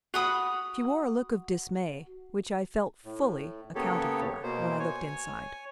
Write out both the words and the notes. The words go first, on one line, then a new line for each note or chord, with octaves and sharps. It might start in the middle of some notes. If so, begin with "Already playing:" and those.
She wore a look of dismay which I felt fully accounted for when I looked inside.
F#4 F#5 B5 D#6
A2
C#3 A#3 B3 G4 A4 C#5
B2 A#3 C5
C#5 G#5